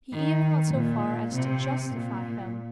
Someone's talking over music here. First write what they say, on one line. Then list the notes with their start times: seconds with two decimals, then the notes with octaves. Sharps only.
He even went so far as to justify him.
0.13 D#3
0.75 A#2
1.35 C3
1.95 A#2